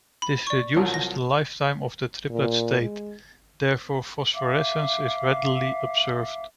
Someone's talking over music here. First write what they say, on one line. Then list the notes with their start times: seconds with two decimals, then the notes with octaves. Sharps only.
This reduces the lifetime of the triplet state, therefore phosphorescence is readily observed.
0.22 B5
0.47 D5 C#6
0.77 C2 F3 F#3
0.94 A#6
2.30 A#2
2.81 G#3
4.34 E5 F5 D6